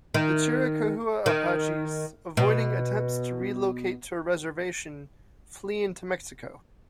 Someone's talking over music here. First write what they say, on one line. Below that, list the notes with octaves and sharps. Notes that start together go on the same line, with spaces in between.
The Chiricahua Apaches, avoiding attempts to relocate to a reservation, flee into Mexico.
D#3
D#3
B2